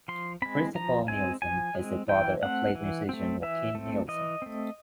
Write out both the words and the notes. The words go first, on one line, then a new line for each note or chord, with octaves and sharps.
Christopher Nielsen is the brother of late musician Joachim Nielsen.
F3 C6
G#3 C4 B5
F3 A#5
G#3 C4 G#5
F3 G#5
G#3 C4
E3 G5
A3 C4 F#5
E3
A3 C4
E3 E5
A3 C4
E3 D#5
A3 C4